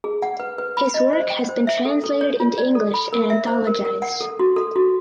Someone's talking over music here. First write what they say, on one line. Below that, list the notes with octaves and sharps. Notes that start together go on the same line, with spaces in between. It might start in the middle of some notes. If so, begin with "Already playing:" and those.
His work has been translated into English and anthologized.
G#4
F#5
B4
B4
B5
D#5
C5
G5
C5
E5
A4
A4
C#5
F4
D5
A4
B5
A#4
E5
C5
A#4
A#4
F#5
A4
F#4
A4
F#4